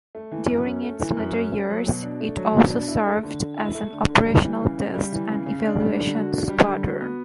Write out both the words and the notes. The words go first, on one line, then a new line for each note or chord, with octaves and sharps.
During its later years it also served as an operational test and evaluation squadron.
A3
E3
F#2
C#4
A3
E3
F#2
C#4
A3
F#3
B2
D4
A3
F#3
B2
D4
E4
A3
D3
D3
E4
A3
D3
D3
G3
E3
C#3
C#3
G3
E3
C#3
C#3
D4
G3
D3
F#4
D4
G3
D3
F#4
B3